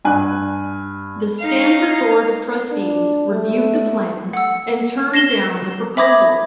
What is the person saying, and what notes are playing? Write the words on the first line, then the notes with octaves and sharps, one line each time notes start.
The Stanford Board of Trustees reviewed the plans and turned down the proposal.
G2 G#5 F#6
D#4 F5
D4
A3
F#5 E6
A#6 C7 E7 G7
E5 B5 D6 D#6 G#6 A#6